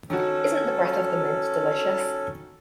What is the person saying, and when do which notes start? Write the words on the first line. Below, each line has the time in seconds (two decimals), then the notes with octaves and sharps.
Isn’t the breath of the mint delicious?
0.10 D#3 C#4 F#4 A4